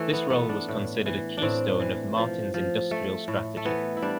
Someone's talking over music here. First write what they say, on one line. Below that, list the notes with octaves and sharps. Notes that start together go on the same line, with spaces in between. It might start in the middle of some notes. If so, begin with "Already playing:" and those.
This role was considered a keystone of Martin's industrial strategy.
Already playing: E3 A3
B3
A3 B3
D4
A2
E3
A2 C4 D4
E3
F3
F3
A3
A2
A3
E3 B3
E4
G3 D4